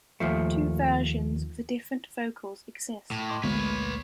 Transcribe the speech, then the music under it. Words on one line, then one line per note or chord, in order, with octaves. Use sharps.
Two versions with different vocals exist.
D#2 F3 A3
A2
D#5 C6 D6
A1 D2 G#3 A#3 B3 B4 C#5